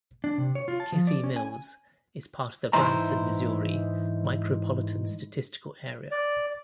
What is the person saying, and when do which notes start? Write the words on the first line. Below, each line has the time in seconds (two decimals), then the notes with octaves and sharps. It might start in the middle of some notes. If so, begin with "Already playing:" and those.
Kissee Mills is part of the Branson, Missouri Micropolitan Statistical Area.
0.24 D4
0.38 C3
0.55 C#5
0.68 F4
0.80 A5
0.92 F3
1.07 D5
1.24 C#4
1.36 G#5
2.73 G#2 E3 D#4 E4 C5 A#5
6.11 D5